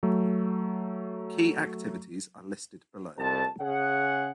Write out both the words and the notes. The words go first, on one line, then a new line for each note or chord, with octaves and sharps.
Key activities are listed below.
F#3 A3
C2 F2 C5 A5
C#3 G#4 F#5